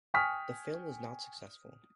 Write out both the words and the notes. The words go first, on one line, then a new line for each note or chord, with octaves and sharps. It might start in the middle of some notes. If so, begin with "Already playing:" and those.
The film was not successful.
G5 G#5 C#6 D#6 F6 B6